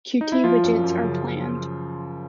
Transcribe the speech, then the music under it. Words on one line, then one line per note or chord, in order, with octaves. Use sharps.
Qt widgets are planned.
D#4
E4
F3 F4
F#2
F#2
C#3
F3